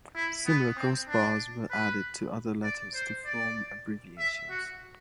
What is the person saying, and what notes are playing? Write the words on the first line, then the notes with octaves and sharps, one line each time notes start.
Similar crossbars were added to other letters to form abbreviations.
E4
B3
C4
D4
B4
D5
C5
D5
E5
F#4